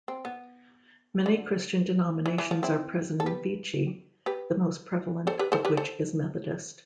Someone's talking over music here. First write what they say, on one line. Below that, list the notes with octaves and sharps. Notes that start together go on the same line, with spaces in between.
Many Christian denominations are present in Fiji, the most prevalent of which is Methodist.
C4
B3
D3
E3
E3
F3
C4 E4
A4
G4 B4
G4 B4
A4 C5
G4 B4
A4 C5
G4 B4
A4 C5